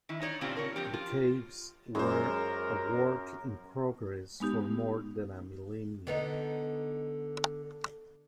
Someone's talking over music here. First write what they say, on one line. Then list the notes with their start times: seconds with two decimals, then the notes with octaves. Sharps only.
The caves were a work in progress for more than a millennium.
0.09 D#3 E4
0.22 D#4 C#5 D5
0.41 A#2 C#3 C4 D4 F4 G4
0.57 A#4 C#5
0.76 F3 C4 G4
0.93 F4
1.95 F#2 G#3 A#4 C5
4.40 G#3 B3 D#4 G4
6.07 D3 B3 D#4